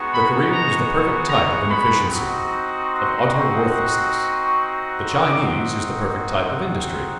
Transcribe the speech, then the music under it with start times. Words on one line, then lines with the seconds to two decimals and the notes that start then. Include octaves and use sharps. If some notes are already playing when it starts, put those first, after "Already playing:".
The Korean is the perfect type of inefficiency--of utter worthlessness. The Chinese is the perfect type of industry.
Already playing: G#3 B3 D#4 F#4
0.11 B5
0.51 A#5
1.29 A#5
1.68 B5
2.07 C4 D#4 F#4
2.85 C6
4.42 C#6
5.20 C4 D#4 F#4 D6